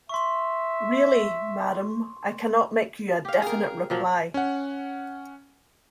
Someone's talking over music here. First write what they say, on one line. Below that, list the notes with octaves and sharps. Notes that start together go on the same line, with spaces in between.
Really, madam, I cannot make you a definite reply.
E5 C6 C#6
G4 F5
G#4 A#4
A#2 F3 F#3
C#4 F#5